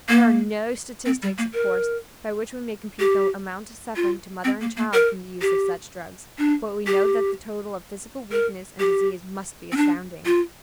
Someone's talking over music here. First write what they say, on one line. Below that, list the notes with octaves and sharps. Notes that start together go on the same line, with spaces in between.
There are no statistics, of course, by which we may compute the amount of suffering to mother and child from the use of such drugs, but we know that the total of physical weakness and disease must be astounding.
A#3
C4
G3
A#3
A#4
G4
F4
C4
A#3
A#3
A#4
G4
D4
G4
A#4
G4
C4
D4
F4